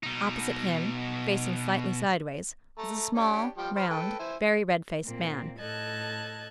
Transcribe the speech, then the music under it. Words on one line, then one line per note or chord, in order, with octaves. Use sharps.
Opposite him, facing slightly sideways, was a small, round, very red-faced man.
B2 D#4
A3 A5 A#5
C#4 D4 G4
F3 G3 G5
C5 B5 F6
A4 B4 G5
E4 C5 G#5
A#2 A#3 C4
A2 A4 D#5 A5 F#6 G#6